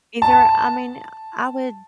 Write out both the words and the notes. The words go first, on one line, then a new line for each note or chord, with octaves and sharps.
Either I mean, I I would
A5